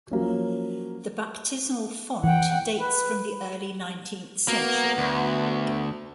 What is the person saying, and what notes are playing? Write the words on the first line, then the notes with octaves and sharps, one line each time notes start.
The baptismal font dates from the early nineteenth century.
F3 F#3 A#3 C#4
E3 F#5 G5
B4
A#3 B3 F#4
D2